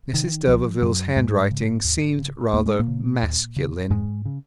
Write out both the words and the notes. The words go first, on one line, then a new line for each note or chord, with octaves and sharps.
Mrs d'Urberville's handwriting seemed rather masculine.
C3 D#3
C2 F3
F#2 C3 F#3
D#2 G#2 G#3
C#3
D#2
C#3
D#2 A#3
G#3
A#2 A#3
C#3
D#2
C#3
F2 G#2 G#3
C#3